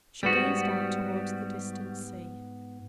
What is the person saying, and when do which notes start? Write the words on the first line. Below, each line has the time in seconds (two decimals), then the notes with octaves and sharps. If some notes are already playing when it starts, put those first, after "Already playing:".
She gazed out towards the distant sea.
0.23 G#2 G3 B3 F#4 B6